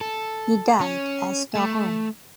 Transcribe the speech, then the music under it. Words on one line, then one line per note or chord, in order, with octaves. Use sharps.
He died at Stockholm.
A4
C#4
A3